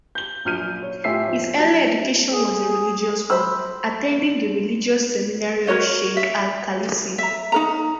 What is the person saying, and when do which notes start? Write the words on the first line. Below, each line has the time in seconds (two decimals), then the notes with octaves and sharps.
His early education was a religious one, attending the religious seminary of Sheikh Al-Khalisi.
0.15 G6 G7
0.45 A#1 F#2 F6 G6 D#7
0.82 C#5
1.04 A2 F4 G4 E5 G#5 C7
1.28 F2
1.59 F#3 A5 A6
2.31 G#4
3.30 C5 B5 E6
5.67 F#4 A#4 C#5 D#5
6.17 E5
7.18 E5 A#5
7.52 D#4 A#4 A#5